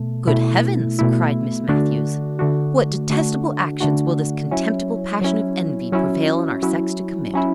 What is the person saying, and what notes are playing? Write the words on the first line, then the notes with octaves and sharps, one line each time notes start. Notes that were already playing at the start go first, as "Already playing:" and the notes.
"Good heavens!" cried Miss Matthews; "what detestable actions will this contemptible passion of envy prevail on our sex to commit!"
Already playing: B2 A3
B2 A3 E4
B2 A3 E4
D3 A3 D4 F#4
D3 A3 D4 F#4
D3 A3 D4 F#4
D3 A3 D4 F#4
F#3 C#4 E4
F#3 C#4 E4
F#3 C#4 E4
F#3 C#4 E4
F#3 C#4 E4